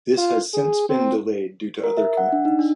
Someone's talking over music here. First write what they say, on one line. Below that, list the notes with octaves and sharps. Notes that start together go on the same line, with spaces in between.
This has since been delayed due to other commitments.
F4
G#4
C4
A#4
E5
F#5
D4
D#4
D4